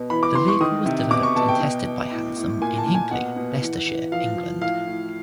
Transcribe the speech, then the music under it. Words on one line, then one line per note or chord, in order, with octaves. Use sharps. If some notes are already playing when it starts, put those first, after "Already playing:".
The vehicle was developed and tested by Hansom in Hinckley, Leicestershire, England.
Already playing: B2
E3 B5
D6
E3 C6
C#6
D#3 D#6
C3
B2 D6
C#6
B2 A5
G5
B2
B2
A2
A2
A#2 G#5
A5
A#2
G#5
B2 F#5
B2
E3
E3
F3 F5
F3
A2 F5
A2